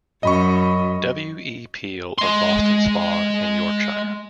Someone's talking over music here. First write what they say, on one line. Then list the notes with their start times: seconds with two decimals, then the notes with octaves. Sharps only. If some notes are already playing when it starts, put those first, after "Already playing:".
W. E. Peel of Boston Spa in Yorkshire.
0.23 F#2 D#5 B5 C#6
2.18 G#3 C6